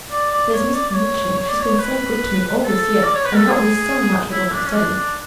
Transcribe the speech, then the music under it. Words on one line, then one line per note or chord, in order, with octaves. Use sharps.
There's Miss Mitchell ... she's been so good to me all this year and helped me so much with my studies.
D5
D5
C#5
D5
D5
C#5
C#5
D5
C#5
B4
A4
D5
C#5
B4
A4
G#4
E4
E4
D4
C#4
D4
D4